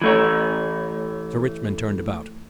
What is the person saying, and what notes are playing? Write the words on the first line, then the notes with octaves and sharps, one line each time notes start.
Sir Richmond turned about.
E3 A3 C#5